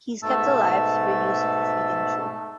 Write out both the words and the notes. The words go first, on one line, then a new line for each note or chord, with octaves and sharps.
He is kept alive through the use of a feeding tube.
G#2 B2 A3 A5 E6